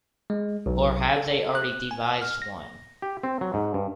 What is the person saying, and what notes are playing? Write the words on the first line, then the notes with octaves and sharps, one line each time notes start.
Or have they already devised one.
G#3
B1
A4
F#6
G#5
F6
A#6
G4
C4
F#3
G#2
G2